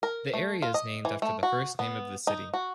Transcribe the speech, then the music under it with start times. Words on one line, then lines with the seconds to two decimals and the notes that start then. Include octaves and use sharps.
The area is named after the first name of the city.
0.03 A#4
0.33 A3
0.62 F4
0.74 D#5
1.05 E3
1.22 A3
1.43 F#4
1.79 B3
2.27 D#4
2.54 F#4